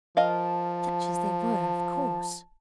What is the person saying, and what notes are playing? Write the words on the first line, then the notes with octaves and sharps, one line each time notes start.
"Such as they were, of course."
F3 A#4 D#5 F5 A5